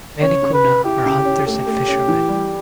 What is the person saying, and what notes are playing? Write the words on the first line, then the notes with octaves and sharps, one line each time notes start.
Many Kuna are hunters and fishermen.
C#3 C#5
C#3
B4
C#3
E4 G4
C#3
C#4
A3 G4
A3
C#4
E3
G3